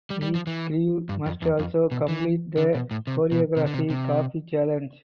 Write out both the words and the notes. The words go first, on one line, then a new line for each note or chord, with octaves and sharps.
Each crew must also complete the Choreography Copy Challenge.
G3
G3
F3
E3
G2
F2
E2
F2
B2
E3
D3
B2
A2
C3
B2
C3
D3
C3
C3